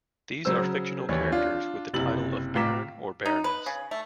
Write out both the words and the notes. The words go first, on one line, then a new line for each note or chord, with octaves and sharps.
These are fictional characters with the title of "baron" or "baroness".
C#3 F#3 C#4 C5 E6
D#2 E3 C#5
D4 F4
F#1 C3 E4 A6 F#7
A2 F4 A#5 D6 B6 E7
D#4
B4
C#3
A3